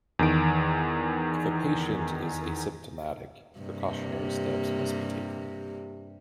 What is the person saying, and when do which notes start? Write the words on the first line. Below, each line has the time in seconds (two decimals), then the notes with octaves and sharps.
If a patient is asymptomatic, precautionary steps must be taken.
0.19 E2 D#3 D7
3.58 G2 C3 A#3